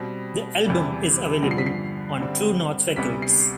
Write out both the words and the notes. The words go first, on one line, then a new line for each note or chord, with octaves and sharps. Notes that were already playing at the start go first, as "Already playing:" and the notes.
The album is available on True North Records.
Already playing: B2 G3 C4
E2 C3 E3 G3
G2 D3 F3 B3
C7
B6
C7
G2 D3 G3 C4
D2 C3 G3 B3 B6
C7